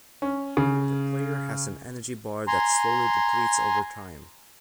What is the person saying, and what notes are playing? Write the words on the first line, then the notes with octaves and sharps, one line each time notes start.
The player has an energy bar that slowly depletes over time.
C#4
C#3
G#5 A#5 C6